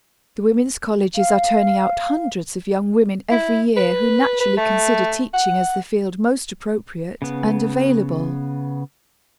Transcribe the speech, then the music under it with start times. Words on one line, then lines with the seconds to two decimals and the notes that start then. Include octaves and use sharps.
The women's colleges are turning out hundreds of young women every year who naturally consider teaching as the field most appropriate and available.
1.15 F5
3.31 E4
3.76 B4
4.40 B4
4.57 A3
5.33 F#5
7.22 C#3 B3